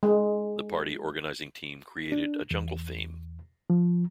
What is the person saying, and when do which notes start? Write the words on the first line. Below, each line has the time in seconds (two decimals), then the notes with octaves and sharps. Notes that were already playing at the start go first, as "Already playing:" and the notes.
The party organizing team created a "jungle" theme.
0.03 G#3
2.12 D4
2.51 E2
3.70 F3